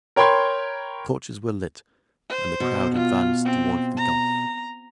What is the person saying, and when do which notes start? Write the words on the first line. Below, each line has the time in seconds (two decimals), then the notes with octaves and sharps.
The torches were lit, and the crowd advanced toward the gulf.
0.16 A#4 C#5 G5 B5 C6 G#6
2.30 C5
2.60 B2
2.94 F4
3.45 C4
3.97 A#5